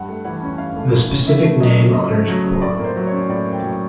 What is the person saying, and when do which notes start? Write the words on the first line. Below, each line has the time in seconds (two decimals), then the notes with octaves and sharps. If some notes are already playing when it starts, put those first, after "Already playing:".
The specific name honours Kuan.
Already playing: G2 F#5
0.09 A3
0.25 E3 F#5
0.42 C#4
0.58 G2 F5
0.76 A3
0.93 E3
1.10 C#4
1.27 C#3 E5
1.43 A3
1.60 F#3 D#5
1.77 C#3
1.93 C#3 D#5
2.10 A3
2.28 F#3
2.44 C#3
2.61 A2 D5
2.79 A#3
2.84 C5
2.96 F#3
3.07 C#4 C#5
3.28 A2 D5
3.47 A#3
3.52 G5
3.63 F#3